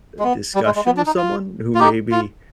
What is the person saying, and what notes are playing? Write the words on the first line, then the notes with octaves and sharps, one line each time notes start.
uh, discussion with someone who maybe
G#3
B3
G3
G#3
G#3
B3
D4
D#4
F4
F4
D#4 G4
F4